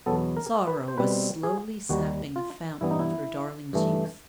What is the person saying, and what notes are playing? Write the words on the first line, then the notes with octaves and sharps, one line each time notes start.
Sorrow was slowly sapping the fountain of her darling's youth.
E2 B2 F#3 B3 A4
A#4
B4
C5
B2 G3 C4 B4
G#4
D#2 D#3 G3 F#4
F4
G2 E3 G3 B3 E4
D#4
E4
G2 E3 A3